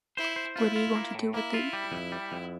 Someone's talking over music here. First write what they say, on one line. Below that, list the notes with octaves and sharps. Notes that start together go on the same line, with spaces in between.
What are you going to do with it?
E4 C5
C5
E4 F4
F4
A#3
A2
A#3 E4
F4
G3
F2
G3
F2